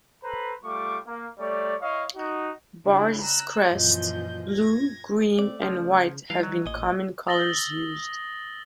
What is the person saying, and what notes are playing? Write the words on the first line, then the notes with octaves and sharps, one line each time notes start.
Bar this crest, blue, green and white have been common colours used.
A4 B4 C5 A#5 B5
G3 A3 F4 C#6 D6
A#3
G3 A3 C#5 D5
E4 C#5 D#5 F5 C#6
D#4 F#4
C#3 G3 D4 E4
A#5 E6 F#6
F#2 A#2 E3 F3 D#5 G6
G#6 A#6
A3 C4 D5
C#3 F3
E3 G3 D#4 F5
F#3
A1 A#2 D#5 G#5
D#6 E6 A6 A#6 F#7 G7